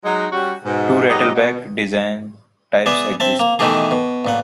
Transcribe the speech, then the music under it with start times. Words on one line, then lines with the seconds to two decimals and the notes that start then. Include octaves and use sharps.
Two rattleback design types exist.
0.05 F#3 G#3 D#4
0.32 G3 C#4 F#4
0.64 G#2 B2
1.08 G#2 F#3 B3 D#4 G4 D#5
1.34 B2
2.86 B3 G#4 D5 E5
3.20 C4 E5 A5
3.40 A#3
3.59 B2 D#3 E3 A3 G4 G#4
3.91 B2
4.25 A1 A#2 F#5